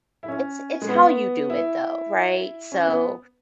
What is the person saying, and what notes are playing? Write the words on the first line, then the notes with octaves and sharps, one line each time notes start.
it's it's how you do it, though. Right? So,
E4
C#4
G#3
B3
E4
C#4
B3